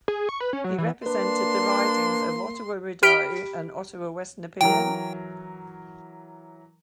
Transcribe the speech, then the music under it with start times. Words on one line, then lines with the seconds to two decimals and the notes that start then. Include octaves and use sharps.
He represented the ridings of Ottawa-Rideau and Ottawa West-Nepean.
0.08 G#4
0.29 C#6
0.41 B4
0.53 C#4
0.64 F#3
0.78 E3
1.06 A#3 D4 B4 C6
3.03 G4 B5 F6 B6 D7
4.61 E3 F#3 A#4 G5